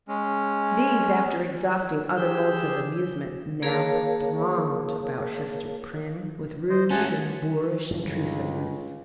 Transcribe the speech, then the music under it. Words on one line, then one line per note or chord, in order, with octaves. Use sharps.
These, after exhausting other modes of amusement, now thronged about Hester Prynne with rude and boorish intrusiveness.
G#3 C#4
G4 G#4 E6 G6
A#3 G#4 A#4 C#5 F5 A5
C5 D#5
A3 C#4 F#5 G#5 A5
C#2 G2 D3 F#3